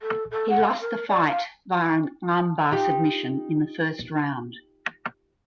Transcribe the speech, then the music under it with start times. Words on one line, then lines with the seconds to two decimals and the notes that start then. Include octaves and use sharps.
He lost the fight via an armbar submission in the first round.
0.02 A4
0.31 A4
0.50 F#5
0.67 F5
0.81 A#4
1.08 D5
1.28 F5
2.71 D#4 F4 G4